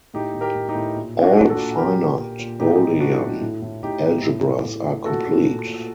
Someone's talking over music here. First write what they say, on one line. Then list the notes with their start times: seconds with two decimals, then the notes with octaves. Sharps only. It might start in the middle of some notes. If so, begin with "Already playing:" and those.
All finite Boolean algebras are complete.
0.14 A2 D#4 G4
0.34 A2
0.41 G4 A#4
0.55 A2
0.68 D#4 G4
0.75 A2
0.96 A#2
1.16 A#2
1.23 D4 F#4
1.37 A#2
1.50 F#4 A4
1.57 A#2
1.78 A#2 G4 A#4
1.99 A#2
2.19 A#2
2.39 A#2
2.60 A2 D#4 G4
2.81 A2
3.00 A2 D4 F#4
3.21 A2
3.41 A2
3.62 A2
3.83 A2 D#4 G4
4.03 A2
4.23 A2
4.44 A2
4.65 A2
4.85 A2
5.05 A#2 F#4 A4
5.26 A#2
5.47 A#2
5.67 A#2